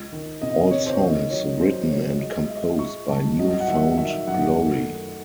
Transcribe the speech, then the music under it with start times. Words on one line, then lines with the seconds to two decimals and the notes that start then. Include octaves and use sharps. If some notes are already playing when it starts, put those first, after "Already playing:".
All songs written and composed by New Found Glory.
Already playing: C#2 D#5
0.12 D#3
0.42 C3 D#5
0.71 D#3 C#5
0.86 C5
0.94 C#5
1.01 D#3 D#5
1.30 F#3 C#5
1.61 F#3 C5
1.90 F#3 C#5
2.20 G#3 D#5
2.44 D#5
2.49 G#3 E5
2.78 G#3 C#6
3.08 C2 A5
3.39 F#3 D#5
3.60 F#5
3.68 D#3 E5
3.97 D#3 E5
4.27 F#2 F#5
4.57 A3
4.87 D#3